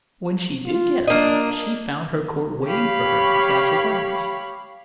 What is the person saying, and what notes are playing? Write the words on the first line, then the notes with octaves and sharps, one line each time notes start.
When she did get up, she found her court waiting for her in the castle gardens.
F4
A#3 D4 D#5
G4 C#5 F5 B5